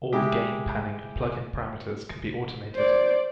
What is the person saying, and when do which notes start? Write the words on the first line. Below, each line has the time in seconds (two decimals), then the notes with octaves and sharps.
All gain, panning and plug-in parameters can be automated.
0.13 G#3 E4 G4
2.75 C5 D5